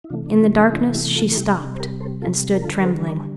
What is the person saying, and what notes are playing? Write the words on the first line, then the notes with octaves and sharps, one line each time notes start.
In the darkness she stopped and stood trembling.
E4
C3 E3 A3 D4 F4
D4
D4 F4
D4
D4 F4
E4 G4
F4 A4
A4
C3 G3 E4 G4
D4
C5
G4 A#4
A4 C5
F4 A4
A#4
D3 G3 F4 A4
A#4
A4 C5
A#4 D5